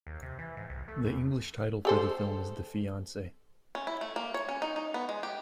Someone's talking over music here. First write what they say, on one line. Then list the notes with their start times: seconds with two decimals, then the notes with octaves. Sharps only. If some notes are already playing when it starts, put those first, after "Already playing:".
The English title for the film is The Fiancee.
0.07 D#2
0.22 C3
0.39 E3
0.57 G#2
0.70 C2
0.88 A3
1.05 E2
1.85 G4 A4 C5
3.75 C#4
3.87 E4
4.01 A3
4.16 A#3
4.34 C#5
4.49 C#4
4.62 D#4
4.76 D#4
4.94 B3
5.09 G#3
5.23 G4